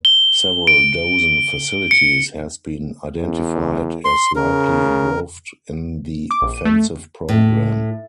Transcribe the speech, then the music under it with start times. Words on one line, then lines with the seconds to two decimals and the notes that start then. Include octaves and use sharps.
Several dozen facilities has been identified as likely involved in the offensive program.
0.05 G7
0.67 D7
1.91 C#7
3.16 E2
4.05 C6
4.36 C#3 A#4
6.31 D6
6.42 A#1
6.54 D#7
6.65 A3
7.29 A2